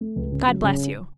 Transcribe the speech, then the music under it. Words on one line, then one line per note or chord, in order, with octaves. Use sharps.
God bless you!'
A3
C#2
C#3
F#3
C#3